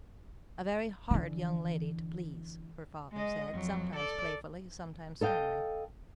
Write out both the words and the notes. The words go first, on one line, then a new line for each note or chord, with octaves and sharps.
A very hard young lady to please, her father said, sometimes playfully, sometimes sternly.
D3 E3
G#3 D#5
F2 F#3
A4 D5
A4 D#5 F5 G5